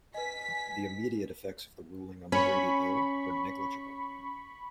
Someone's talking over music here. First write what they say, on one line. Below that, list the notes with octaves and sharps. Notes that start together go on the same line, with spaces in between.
The immediate effects of the ruling on the Brady Bill were negligible.
B4 D#5 G#5 B6
C#4 B5 C#6